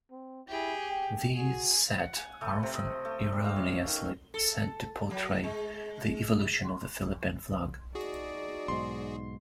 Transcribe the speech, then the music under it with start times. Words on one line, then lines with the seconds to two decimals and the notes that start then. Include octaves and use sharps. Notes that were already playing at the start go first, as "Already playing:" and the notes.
These set are often erroneously said to portray the "Evolution of the Philippine Flag".
0.11 C4
0.49 E4 G4 G#4
0.90 G5
1.36 F#4 G#4
1.99 F#5
2.17 G#5
2.41 A3
2.63 C3
2.75 D#5
3.05 A3
3.32 G3
3.44 F5
3.56 C#4
3.87 D#3
4.34 A4
5.11 F#3
5.43 G#3
7.95 D#4 F#4 G#4 D5
8.68 B1 G#2 C6